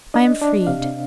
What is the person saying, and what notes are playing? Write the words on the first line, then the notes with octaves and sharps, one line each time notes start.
I am freed.
D4 D#5
D4
C3 F5